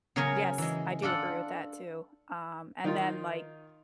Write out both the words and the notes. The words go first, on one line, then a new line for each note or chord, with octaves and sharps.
Yes, I do agree with that too. Um, and then, like,
C#3 F#3 A#4 C#5 G#5
E3 G#3
D4 F4 A4 F#5
D#3 D#4 F4